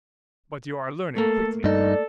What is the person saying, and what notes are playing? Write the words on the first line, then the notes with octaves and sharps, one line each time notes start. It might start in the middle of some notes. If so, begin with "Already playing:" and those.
"But you are learning quickly."
A3 A#3 A4
G2 D#4 A4 D5